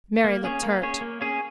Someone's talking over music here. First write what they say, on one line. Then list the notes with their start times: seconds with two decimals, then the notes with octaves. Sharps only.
Mary looked hurt.
0.24 A#3
0.44 C#4 G#4 C#5
0.63 A#3
0.82 C#4 G#4 C#5
1.01 A#3
1.21 C#4 G#4 C#5